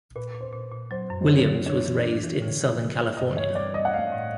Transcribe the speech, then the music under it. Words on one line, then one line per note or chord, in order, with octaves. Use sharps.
Williams was raised in Southern California.
A#2 B4
A#2
C5
A#2
A#2
F#3 C5
F#2
C5
F#3 C#5
F#3
D4 C#5
E3
D4
E3
D3
F3
D3
A#3
G2 D#5
E3 C#5
G3 D5
G3 D#5
F#5
A3 F5
A2